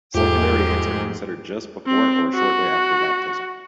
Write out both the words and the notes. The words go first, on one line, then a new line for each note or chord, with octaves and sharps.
Secondary aids are considered just before or shortly after baptism.
E2 G#2 F3 A3 G4 G#4
C4
F#4